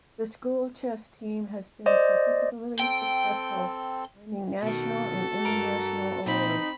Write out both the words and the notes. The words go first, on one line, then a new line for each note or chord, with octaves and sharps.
The school chess team has been particularly successful, winning national and international awards.
C5 D5 D#5
C4 A4 G5
B2 D#3 F#4 A4
G2 A#4 A#5
A#2 C4 D#4 B5